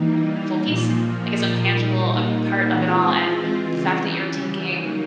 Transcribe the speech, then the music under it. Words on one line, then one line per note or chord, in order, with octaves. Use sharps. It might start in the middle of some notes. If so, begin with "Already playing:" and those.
full piece, like its own tangible, uh, part of it all, and the fact that you're taking,
Already playing: E3 G3 A#3 D#4
A#2 F3 A#3
A#2 G3 A#3 D#4
E3 G#3 C4 F4
C#3 E3 G3
F#3 A#3 D#4